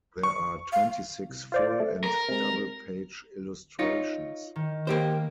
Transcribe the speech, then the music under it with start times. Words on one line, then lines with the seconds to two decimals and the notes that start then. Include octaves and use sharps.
There are twenty-six full and double page illustrations.
0.23 C#6
0.73 F5
1.30 C2
1.52 F4 C5 D5
1.80 A3
2.04 A#4
2.29 C3 G#3
3.79 D#4 F4 C#5
4.56 D#3
4.87 A#3 G4 C5